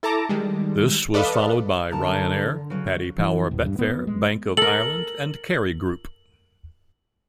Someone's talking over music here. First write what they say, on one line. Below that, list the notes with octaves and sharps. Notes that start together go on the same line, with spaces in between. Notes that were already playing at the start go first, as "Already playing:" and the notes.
This was followed Ryanair, Paddy Power Betfair, Bank of Ireland and Kerry Group.
E4 A4 A5 A#5 D6
D#3 G3 G#3
A4 B4 D5 D#5 F5
F#2 D3 A#4 A5
C#3 F#3
E3
D#1
G2
B3
G#3
A4 A#4 F#7